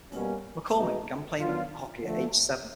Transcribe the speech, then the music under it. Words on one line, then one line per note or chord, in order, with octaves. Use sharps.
MacCormik began playing hockey at age seven.
B2 G3 A#3 C#4
B2 G#3 B3 D#4 F#4
D#3 F#3 B3 D4 F4
D3 F3 A3